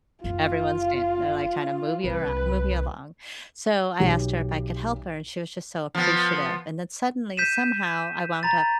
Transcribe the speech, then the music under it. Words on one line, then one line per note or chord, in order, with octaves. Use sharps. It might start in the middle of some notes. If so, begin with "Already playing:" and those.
everyone's standing, their like, kinda move you around, move you along. So, I asked her if I could help her, and she was just so appreciative, and then suddenly, somehow, I wound up
F#1 F4
C2 B4
B1 G4
F3 B3
G6 B6 D#7 E7
A#5 B5 A6